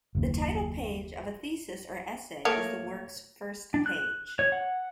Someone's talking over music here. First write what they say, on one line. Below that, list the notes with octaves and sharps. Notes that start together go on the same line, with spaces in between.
The title page of a thesis or essay is the work's first page.
F#1 D#2
A3 A#3 C#5
D4
F#6
C#5
F#5